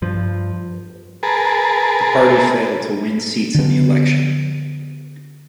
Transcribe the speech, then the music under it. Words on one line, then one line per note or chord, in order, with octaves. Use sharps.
The party failed to win seats in the election.
G2 F3
G#4 A#4 B4 A5
D3 B3